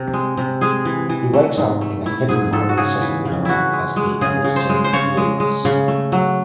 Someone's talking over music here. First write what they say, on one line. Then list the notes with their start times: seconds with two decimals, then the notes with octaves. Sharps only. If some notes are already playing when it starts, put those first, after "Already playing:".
He wakes up in a heaven-like setting known as the Elysian Fields.
Already playing: C3
0.13 G#3
0.37 C3
0.61 G#3 G#4
0.85 E3
1.09 E3
1.33 A3
1.57 G#2
1.81 A3
2.06 A3 E4
2.29 G#2 G#4
2.53 G#2 A4
2.69 F#4
2.77 C#3 G#4
3.01 E3
3.25 C#3
3.45 E3 E4 F#4
3.73 G#3
3.96 G#3
4.21 C#3 G#4
4.44 C#3
4.56 C5
4.69 G#3
4.84 C5
4.93 C#3 C#5
5.17 G#3
5.40 G#3
5.65 C#3
5.88 A3
6.12 F#3